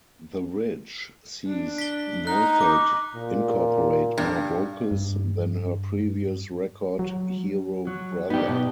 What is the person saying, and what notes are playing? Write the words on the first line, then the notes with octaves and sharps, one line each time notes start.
"The Ridge" sees Neufeld incoporate more vocals than her previous record, "Hero Brother".
D4
B6 G7
D#4 A#5 F#6
D6
A#2
G2
G2
F#3
F#3
B3 D4 D#4 G4
B2